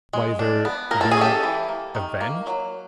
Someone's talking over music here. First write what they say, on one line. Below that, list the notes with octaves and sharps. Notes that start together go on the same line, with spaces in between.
By their being avenged?
G#3
D4
B3
A#3 A#4
A4
G#4
C#4 G4 A4
E3
A#3
D#3
A#3
F#3